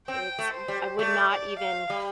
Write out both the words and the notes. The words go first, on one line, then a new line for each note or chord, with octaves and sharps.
it's I would not even
C4 G5
A3
C5
G3
A3 D5
D5
F5
G3